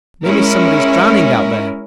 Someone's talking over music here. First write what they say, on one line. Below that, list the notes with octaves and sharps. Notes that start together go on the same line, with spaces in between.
Maybe somebody is drowning out there.
G#3 C#4 E4 A#4